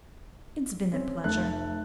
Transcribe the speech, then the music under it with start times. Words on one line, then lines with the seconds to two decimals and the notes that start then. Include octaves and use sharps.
"It's been a pleasure."
0.91 C4 C#4
1.24 F1 A3 F#6